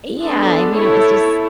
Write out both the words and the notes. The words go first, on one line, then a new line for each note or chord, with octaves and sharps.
Yeah, I mean, it was just
G#3 B3 D4 A4
A3 E4 A4 C#5